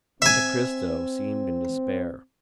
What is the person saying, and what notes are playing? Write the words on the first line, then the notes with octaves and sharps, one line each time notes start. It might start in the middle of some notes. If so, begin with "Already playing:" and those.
Monte Cristo seemed in despair.
C4 E5 G#5